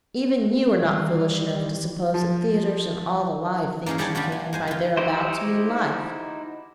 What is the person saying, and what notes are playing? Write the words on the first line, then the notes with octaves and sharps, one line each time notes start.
Even you are not foolish enough to suppose that theatres and all the live things you can buy thereabouts mean Life.
D#3 E3 G3 F4
F3
A#3 C#4 D#4 G#4 A#4
D#3 G3 D4 G4 G#4 C#5
G3 D4 F4 F#4
G#5
G#3 C5 G#5
E3 F4
D#4 E4 F#4 G4 C5